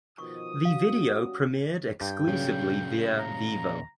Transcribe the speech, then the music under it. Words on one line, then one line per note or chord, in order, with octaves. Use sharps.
The video premiered exclusively via Vevo.
B2 D#3 F3 C#6 D#6
G3 C#4 F#4 F5
G2 G5
A#2 C#3 F#3 C#4
A#5